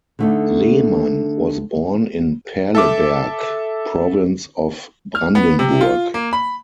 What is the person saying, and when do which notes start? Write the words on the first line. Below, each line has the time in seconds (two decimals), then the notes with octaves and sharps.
Lehmann was born in Perleberg, Province of Brandenburg.
0.19 D3 A3 D#4
2.75 A4 E5 D6
5.15 F6
5.35 B3
5.59 C3
5.81 F4
6.14 A#3
6.33 B5